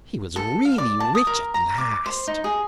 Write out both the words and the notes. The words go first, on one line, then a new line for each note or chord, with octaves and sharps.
He was really rich at last.
A4
F5
D5
A5
D#6
A#4
A#5
D6
C5
D#4
G#4